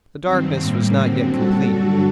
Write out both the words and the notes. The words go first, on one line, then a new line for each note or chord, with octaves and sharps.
The darkness was not yet complete.
G2 D#3 F#3 C4
A2 G3 A#3
F#2 D3 F#3 C4
A#2 G3 F#4 A4
G2 D3 F#3 F#4 A4